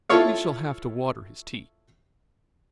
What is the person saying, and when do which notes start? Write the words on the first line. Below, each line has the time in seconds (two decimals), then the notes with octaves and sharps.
"We shall have to water his tea."
0.09 E4 F4 A4 C#5 F5